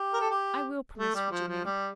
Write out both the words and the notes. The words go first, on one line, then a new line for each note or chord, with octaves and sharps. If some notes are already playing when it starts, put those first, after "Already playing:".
"I will," promised Virginia.
Already playing: G4
A#4
A4
G4
A3
G3
F3
F3
G3